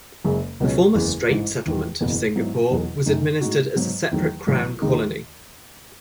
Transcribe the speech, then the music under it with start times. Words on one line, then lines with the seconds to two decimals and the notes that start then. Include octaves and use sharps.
The former Strait Settlement of Singapore was administered as a separate crown colony.
0.25 F#1 F#2 C#3 G#3
0.60 C#2 B2 F#3 C#4
0.95 F#1 E2 C#3 G#3
1.30 A1 G#2 E3
1.66 E1 E2 D#3
2.01 F#1 E2 B2
2.36 G#2 F#3 B3 E4
2.71 E1 E2 B2 F#3
3.06 F#2 D#3 A3 D#4
3.41 A2 G#3 D#4 F#4
3.76 G#2 F#3 B3
4.11 E2 D#3 F#3 A3
4.47 A1 A2 F#3
4.82 D#2 D#3 G#3 D#4